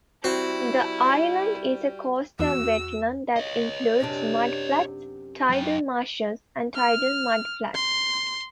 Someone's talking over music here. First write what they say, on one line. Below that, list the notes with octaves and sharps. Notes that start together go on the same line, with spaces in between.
The island is a coastal wetland that includes mudflats, tidal marshes, and tidal mudflats.
G3 C4 E4 F#4
E2 F#4 E6
C#5 D#5
F#2 C3 D4
F#2 G5
F6
C6